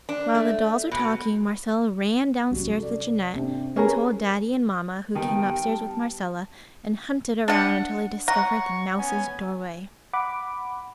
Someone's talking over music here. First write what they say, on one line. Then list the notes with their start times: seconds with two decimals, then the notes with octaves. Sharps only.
While the dolls were talking, Marcella ran down-stairs with Jeanette and told Daddy and Mamma, who came up-stairs with Marcella and hunted around until they discovered the mouse's doorway.
0.09 D4
0.35 A3
0.91 B2
2.51 C2 F#3 G3 C#4
2.79 A4 D5
3.35 C3 C4 D4
3.76 C#4 G4 G#4 A#4 B4
5.15 D#3 G3 B3 G5 A5
7.48 D4 F#5
8.28 C#5 F#5 A#5 C#6
8.98 B3 C#4 G#5
10.13 F#5 B5 D6